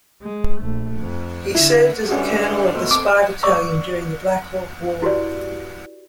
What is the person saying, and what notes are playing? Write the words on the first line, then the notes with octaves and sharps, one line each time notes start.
He served as a Colonel of the "Spy Battalion" during the Black Hawk War.
G#3
A#1 A3
F2
D3 E4
D3 E3 G3 C#4 F#4
B2 D#3 A3 C5
C4 A4 D6
D5 C#6 D6 E6
E4 F#4 G4 B4 D5